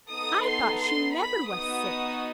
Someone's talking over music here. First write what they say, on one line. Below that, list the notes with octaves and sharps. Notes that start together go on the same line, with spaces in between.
"I thought she never was sick."
B3 D#4 A4 D#6
C6
C6
B5
B3 D#4 F#4 D#6